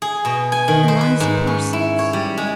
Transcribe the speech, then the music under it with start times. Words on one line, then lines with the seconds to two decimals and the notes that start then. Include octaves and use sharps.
"Eliza Parsons."
0.02 G#4
0.25 B2
0.52 G#5
0.68 D#3
0.88 C5
1.01 B4
1.20 G#2
1.47 C#4
1.73 E4
1.99 C#5
2.13 G3
2.38 G#3